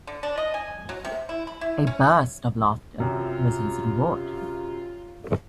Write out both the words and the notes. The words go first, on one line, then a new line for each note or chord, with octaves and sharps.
A burst of laughter was his reward.
D3
D4
D#5
G#5
F#3
C3
E4
B5
E4
C#4
F#2 C3 F4